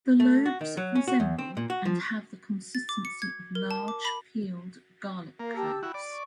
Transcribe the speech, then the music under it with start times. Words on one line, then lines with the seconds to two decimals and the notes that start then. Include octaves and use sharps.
The lobes resemble, and have the consistency of, large peeled garlic cloves.
0.20 A3
0.46 F#4
0.61 D#3
0.77 F#3
0.95 C#4
1.08 F#4
1.20 E2
1.38 C4
1.57 A#2
1.70 F#4
1.85 F3
2.75 A6
2.89 D6
3.05 C#7
3.22 G#6
3.55 A#4
3.71 A5
3.88 D6
4.05 B5
5.39 A#3 A#4 F5
5.56 G4 A5 E6
5.83 E4 F#4 G5 B5
5.94 D5
6.09 C#6